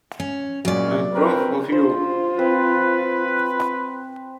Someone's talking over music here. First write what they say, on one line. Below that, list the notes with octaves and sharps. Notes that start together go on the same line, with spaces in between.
I'm proud of you.
C#4
A#2 F#3 G#3 C#4 D5
C4 A#4 B4
F4 C5
C4 B4